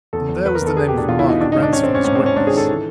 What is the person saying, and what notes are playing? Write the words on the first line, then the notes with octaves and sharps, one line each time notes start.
And there was the name of Mark Ransford as witness.
E2 A4
E2
E2 B4
A#4
E2
A4
E2 G#4
G4
B2 D4
E2 F4
E4
B2 D#4
D#3 D4
D#4
G#2
D4
D#3 C#4
C4
D#3
C#4
G#2 C#4
C4
G#2 C#4
G#2 D4
G#4
D#3 A4
E3